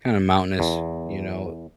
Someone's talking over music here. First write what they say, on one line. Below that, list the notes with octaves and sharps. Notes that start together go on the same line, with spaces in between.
kinda mountainous, you know.
E2